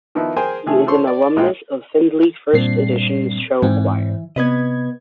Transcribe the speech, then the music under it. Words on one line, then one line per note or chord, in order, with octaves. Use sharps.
He is an alumnus of Findlay First Edition Show Choir.
D#3 F3 B3 D#4 E4
G#4 A#4 C5 G5 G#5
C3 D#3 F3 A3 G#4
F3 A4 C5 C6 C#6
D5
A#1 G#3 D#4 F4 G5
G2 A#2 C4 C7
G#2 E3 C4
C3 B3 B4 D#5 G#6